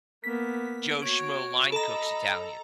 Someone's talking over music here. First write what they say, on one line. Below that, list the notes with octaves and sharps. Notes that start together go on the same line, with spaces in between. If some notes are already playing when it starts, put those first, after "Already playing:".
Joe Schmo line cook's Italian.
A#3 B3 B6
F#4 C#5 D7
A4 D#5 A#5 B5